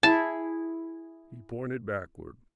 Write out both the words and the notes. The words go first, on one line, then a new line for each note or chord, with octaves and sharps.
He pointed backward.
E4 G#4 A5